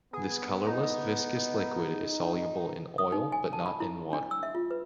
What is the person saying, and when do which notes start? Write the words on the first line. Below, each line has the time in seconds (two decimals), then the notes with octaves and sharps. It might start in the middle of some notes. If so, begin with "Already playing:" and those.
This colorless viscous liquid is soluble in oil, but not in water.
0.13 B3 G#4
0.66 D#4
2.98 D#6
3.12 D#4
3.32 G#5
3.53 A5
3.66 B5
3.80 E4
4.13 D4
4.31 E6
4.43 E5
4.55 F4
4.71 B4